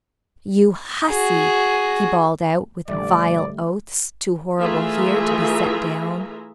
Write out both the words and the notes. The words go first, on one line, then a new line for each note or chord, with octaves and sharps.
"You hussy!" he bawled out with vile oaths, too horrible here to be set down.
F#4 G#4
A#1 D3 G3 A3 D5
E3 A3 F4 G#4 E5 A#5